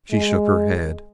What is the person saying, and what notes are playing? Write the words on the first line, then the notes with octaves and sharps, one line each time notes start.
She shook her head.
G#3